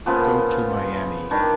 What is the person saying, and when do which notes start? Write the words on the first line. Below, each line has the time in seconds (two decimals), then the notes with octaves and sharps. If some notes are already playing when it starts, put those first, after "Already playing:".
Go to Miami.
0.06 A#2 C#3 F3 B3
1.31 D#3 G3 D4